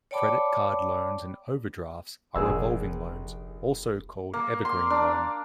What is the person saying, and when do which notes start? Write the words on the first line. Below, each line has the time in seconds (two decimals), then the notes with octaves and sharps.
Credit card loans and overdrafts are revolving loans, also called evergreen loan.
0.11 C#5 D5 G5 A5 B5 D6
2.35 F1 A#1 G#4 E6
4.33 A#3
4.65 C6
4.90 D4